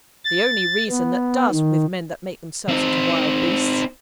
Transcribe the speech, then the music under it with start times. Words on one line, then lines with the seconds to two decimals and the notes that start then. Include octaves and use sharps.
'The only reason that does with men that make themselves into wild beasts.
0.25 A6
0.90 B3
1.51 D#3
2.69 C4 D#4